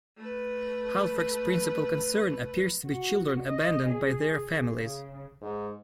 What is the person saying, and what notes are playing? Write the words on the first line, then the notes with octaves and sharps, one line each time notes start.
Halfrek's principal concern appears to be children abandoned by their families.
A3 B4
F#4
D#5
G#4
C#3
G#2